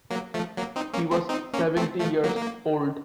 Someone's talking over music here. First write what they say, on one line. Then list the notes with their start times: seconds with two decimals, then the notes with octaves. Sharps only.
He was seventy years old.
0.10 F#3 A#3
0.34 F3 A3
0.57 F#3 A#3
0.76 C4 D#4
0.94 A#3 C#4
1.11 A3 C4
1.29 C4 D#4
1.53 A#3 C#4
1.77 A3 C4
2.00 F3 A3
2.24 F#3 A#3
2.37 A#3